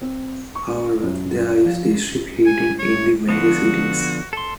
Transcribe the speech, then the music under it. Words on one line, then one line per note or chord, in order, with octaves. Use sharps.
However, there is district heating in the major cities.
C4
C#6
F#2
F3
G#5
C#5
D3 F3 B3 F#4
A4 C6